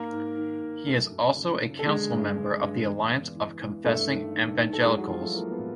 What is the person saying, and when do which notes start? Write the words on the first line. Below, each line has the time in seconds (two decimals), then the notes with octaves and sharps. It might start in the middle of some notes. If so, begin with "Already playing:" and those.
He is also a Council member of the Alliance of Confessing Evangelicals.
Already playing: G#2 A#3 A#4
0.12 G#2
0.37 D#3
0.62 G#2
0.86 F#2 A3 A4
1.11 F#2
1.37 C#3
1.61 C#3
1.79 A4
1.86 D3 G#3 G#4
2.10 G2
2.35 G2
2.60 G2
2.85 E2
3.11 E2
3.35 E3
3.60 E3
3.84 G2 A3 A4
4.09 D#3
4.35 D#3
4.60 D#3
4.73 A4
4.84 E3 G#3 G#4
4.96 F#3 F#4
5.09 E3 F3 F4
5.21 A3 A4
5.34 E3 A#3 A#4
5.50 B3 B4
5.59 A2